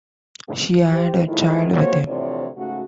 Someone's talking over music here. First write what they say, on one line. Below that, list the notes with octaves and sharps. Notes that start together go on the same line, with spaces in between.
She had a child with him.
G4 C5
A2 D#3 F3 G#3 E4
F2 A#3 F#4 C5 C#5
D2 C3 E3 F3 C#5 D5
G#2 C#3 A3 F#4